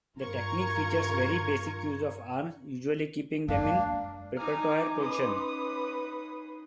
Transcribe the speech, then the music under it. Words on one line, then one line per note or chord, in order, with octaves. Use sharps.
The technique features very basic use of arms, usually keeping them in preparatoire position.
G2 F4 A#4 A#5 C#6 G#6
F#2 G#3 A#3 D4 F5
D#4 G#5 A#5 D6 F6
C#4 D#4 B4 C6 D#6